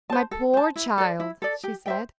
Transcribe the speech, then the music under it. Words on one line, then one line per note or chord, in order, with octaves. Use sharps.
"My poor child!" she said.
C5 A5
A4
C5 A5
E4
A4 D5
E4
A4 D5
G4
C5 E5 G5